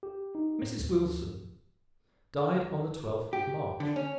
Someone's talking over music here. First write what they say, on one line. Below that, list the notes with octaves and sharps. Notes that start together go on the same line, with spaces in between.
Mrs. Wilson died on the twelfth of March.
G4
D#4
A2
D2
G4
D3
C#4